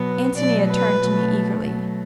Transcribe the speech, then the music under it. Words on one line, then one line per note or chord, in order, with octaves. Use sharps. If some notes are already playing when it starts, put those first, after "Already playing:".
Antonia turned to me eagerly.
Already playing: B2 F#3 B3
B2 F#3 A3 D5
B4
B2 F#3 A3
B2 F#3 A3